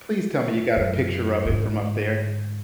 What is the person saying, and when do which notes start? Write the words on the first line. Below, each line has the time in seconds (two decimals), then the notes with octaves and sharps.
Please tell me you got a picture of it from up there.
0.76 F#2
1.46 G#2 D3